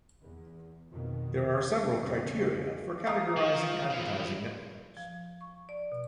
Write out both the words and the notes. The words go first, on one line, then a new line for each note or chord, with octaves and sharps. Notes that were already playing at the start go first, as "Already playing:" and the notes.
There are several criteria for categorizing advertising networks.
E2
F2 B2 D#3
E2 C#3 G3 C4 C#4
F5 A#5 D#6
F3
E3 F3
F3
C#6
D5
B2